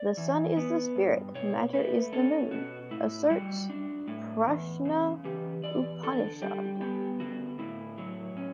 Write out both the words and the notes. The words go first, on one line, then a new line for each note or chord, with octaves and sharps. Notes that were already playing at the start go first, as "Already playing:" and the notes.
The sun is the spirit, matter is the moon, asserts Prashna Upanishad.
Already playing: D5
E3
B3
G2
B2 C#5
A3 B4
C#4 A4
B2 F#4
A2 E4
G3 F#4
D4
A2
E2
C#3
E3 G4
E2 D5
D3 A4
G3 G4
B3 G4
D3 F#4
A2 E4
F#3
C#4